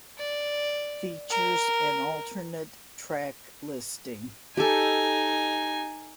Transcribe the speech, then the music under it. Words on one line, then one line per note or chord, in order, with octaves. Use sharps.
Features an alternate track listing.
D5
A#4
D#4 G4 A4 G#5